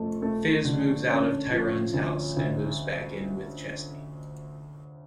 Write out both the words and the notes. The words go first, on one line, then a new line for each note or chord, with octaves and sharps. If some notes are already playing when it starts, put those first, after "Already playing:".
Fiz moves out of Tyrone's house and moves back in with Chesney.
Already playing: F2 A3
A3
D3
C#4
F3
D2
D2